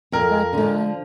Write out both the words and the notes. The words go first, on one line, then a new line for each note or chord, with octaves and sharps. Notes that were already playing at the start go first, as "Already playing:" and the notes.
but, um,
F2 A#4
D3 F3